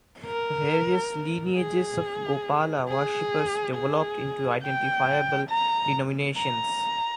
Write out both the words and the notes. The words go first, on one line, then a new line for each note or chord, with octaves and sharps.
Various lineages of "Gopala" worshipers developed into identifiable denominations.
A#4
G#4
G#4
G#4
G5
A#5
A#5